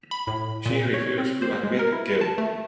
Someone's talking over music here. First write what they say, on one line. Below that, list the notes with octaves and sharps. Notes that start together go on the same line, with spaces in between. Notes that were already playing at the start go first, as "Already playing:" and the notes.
She refused to admit guilt.
B5
A2
A#2
C#5
C4
C5
G#3
A#4
E4
A5
A3